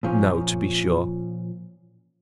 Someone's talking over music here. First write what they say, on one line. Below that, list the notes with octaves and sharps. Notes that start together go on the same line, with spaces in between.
No, to be sure!
A#2 F3 C#4